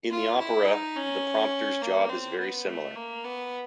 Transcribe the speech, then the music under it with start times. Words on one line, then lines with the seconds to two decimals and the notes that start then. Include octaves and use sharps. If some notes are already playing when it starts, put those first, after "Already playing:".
In the opera, the prompter’s job is very similar.
0.10 F4
0.39 E4
0.67 D#4
0.96 C#4
1.82 A#3
2.10 C4
2.39 B3
2.67 A3
2.96 A#3
3.25 B3